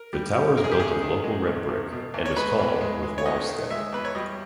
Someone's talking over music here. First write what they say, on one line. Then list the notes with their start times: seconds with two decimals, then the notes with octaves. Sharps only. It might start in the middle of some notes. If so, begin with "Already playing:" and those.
The tower is built of local red brick, and is tall, with walls thick.
Already playing: A#4
0.13 G3
0.35 G3
0.57 E2 A#4
0.64 G#4
0.72 G4
0.80 E2 G#4
1.01 D#3
1.24 G#3
1.47 E2
1.68 E2
1.92 B2
2.14 E2
2.26 C#5
2.36 G#3 B4
2.59 E2
2.81 G#3
3.03 G#3
3.18 C#5
3.26 E2 D#5
3.48 D#3
3.70 G#3 E5
3.92 E2 B4
4.05 C#5
4.15 G3 D#5